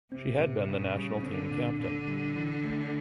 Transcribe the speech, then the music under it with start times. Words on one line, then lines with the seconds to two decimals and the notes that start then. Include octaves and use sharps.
She had been the national team captain.
0.12 C3 C4
0.39 A#2
0.68 A#2 C#3
0.96 G3
1.23 D3 C4
1.51 A#2
1.79 A#2 D3
2.07 G3
2.36 E3
2.64 A3